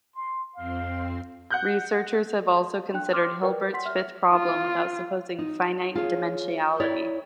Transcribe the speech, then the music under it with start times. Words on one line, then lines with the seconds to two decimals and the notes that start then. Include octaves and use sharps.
Researchers have also considered Hilbert's fifth problem without supposing finite dimensionality.
0.15 C6
0.56 F2 C4 F5 C6
1.51 F#5 F#6 G6
2.94 D4 G5 F#6
3.13 C6 D6 E6 F6
3.42 A#4 B4 D5 G5
3.74 F#5 C6 B6
3.85 E5 F6
4.33 F4
5.39 D#4
5.95 F4 G#4 C#5
6.80 E4 C#5 D5